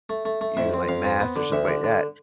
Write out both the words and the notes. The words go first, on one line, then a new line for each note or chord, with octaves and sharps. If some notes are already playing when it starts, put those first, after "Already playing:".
you like math or something like that
A3
A3
A3
F2 E5
C4
F2 F5
C4
B3
D3
D2 E5
D3
D3